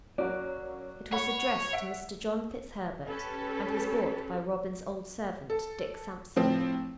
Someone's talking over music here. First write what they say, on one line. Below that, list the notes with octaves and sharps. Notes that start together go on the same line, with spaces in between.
It was addressed to Mr. John FitzHerbert and was brought by Robin's old servant, Dick Sampson.
F#3 A#3 C#4 F#4 D5
C#5 F#5 B5 C#6
E5 F#5 D7
C#4 G4 A4 B4
A4
A2 F3 C4